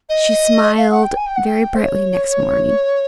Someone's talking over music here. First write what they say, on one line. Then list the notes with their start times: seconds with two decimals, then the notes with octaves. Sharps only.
She smiled very brightly next morning.
0.09 D#5
0.78 F5
0.91 F#5
1.03 G5
1.17 G#5
1.26 G5
1.36 F#5
1.45 G5
1.75 C5
1.81 C#5